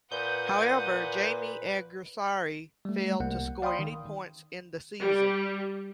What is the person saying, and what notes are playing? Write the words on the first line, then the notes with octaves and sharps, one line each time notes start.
However, Jaime Alguersuari failed to score any points in the season.
A#2 B4 F#5 D#6 G6
G3 A3
C2 A#3 F#5
D5 F5 G5 B5 C6 D#6
D#3
G3